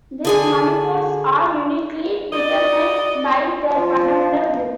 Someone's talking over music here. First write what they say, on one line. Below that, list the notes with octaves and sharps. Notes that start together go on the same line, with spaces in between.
These manifolds are uniquely determined by their fundamental groups.
D3 G#4 G#5
F#4 D5 D#5
F3